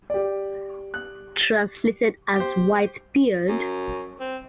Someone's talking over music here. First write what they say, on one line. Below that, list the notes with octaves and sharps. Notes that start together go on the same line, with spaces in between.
Translated as "White Beard".
G4 D5
F#6
G4 C5
F#2
C4